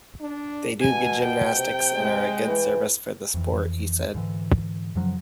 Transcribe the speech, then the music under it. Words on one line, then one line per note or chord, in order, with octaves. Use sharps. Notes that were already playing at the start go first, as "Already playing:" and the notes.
"They do good gymnastics and are a good service for the sport," he said.
D4
B2 G#5
G5
C3
G#3
E3
F2 E3
G#2 D3 E3
F#2 C#3 F3 F#3